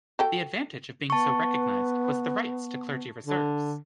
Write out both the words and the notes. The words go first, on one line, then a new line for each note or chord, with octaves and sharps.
The advantage of being so recognized, was the rights to clergy reserves.
F#4 A4 G5
B3 A5 C#6
D3